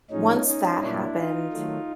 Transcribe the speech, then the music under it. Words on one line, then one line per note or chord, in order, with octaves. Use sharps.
once that happened,
A2 F3 G#3 C#4 D#4
C#4 D#4
A#2 F#3 A#3 D4 E4
D#4 F4
D#3 F#3 A3